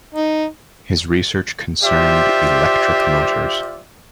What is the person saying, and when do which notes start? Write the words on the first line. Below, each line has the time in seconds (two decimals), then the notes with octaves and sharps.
His research concerned electric motors.
0.14 D#4
1.83 F4 G4 C5 D5 E5